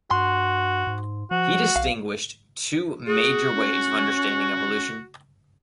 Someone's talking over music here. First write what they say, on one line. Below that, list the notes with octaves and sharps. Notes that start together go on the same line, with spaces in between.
He distinguished two major ways of understanding evolution.
G2 F#4 C6
G#2
F3 F#4
B1 F5
F#4 G#4
C#4